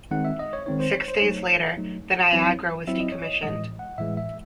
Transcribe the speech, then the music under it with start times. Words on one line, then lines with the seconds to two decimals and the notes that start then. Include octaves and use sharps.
Six days later, the "Niagara" was decommissioned.
0.11 D#3 G#3 C4 D#4 F#5
0.25 E5
0.39 D#5
0.53 C#5
0.66 D#3 G#3 C4 D#4 C#5
0.80 C5
0.94 C#5
1.08 C5
1.22 F#3 A3 D#4 C#5
1.77 F#3 A3 D#4
2.32 F#3 C4 E4
2.87 F#3 C4 E4 E5
3.00 D#5
3.12 C#5
3.24 D#5
3.43 A2 E3 G#3 D#5
3.79 F#5
3.98 A2 E3 G#3 E5
4.17 E5